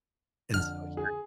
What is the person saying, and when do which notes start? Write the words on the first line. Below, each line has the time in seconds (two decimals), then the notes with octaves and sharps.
and so he
0.54 F2 D3 F6
0.97 G#4